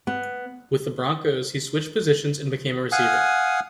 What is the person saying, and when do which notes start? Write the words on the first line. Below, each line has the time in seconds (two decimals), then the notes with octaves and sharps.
With the Broncos, he switched positions and became a receiver.
0.07 B3
2.92 F5 F#5 G#5 D#6